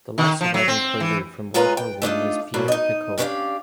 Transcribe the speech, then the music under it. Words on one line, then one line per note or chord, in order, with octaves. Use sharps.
The last surviving poilu from World War One was Pierre Picault.
D#3
F3
F#3
C4
E3
A#2 G#3 C#4 F4 B4 A#5
G5
A3 D4 D#4 F4
G2 B2 F#3 A#3 D4
D#4 D#5
C#4 D4 G4 B4 D5 F5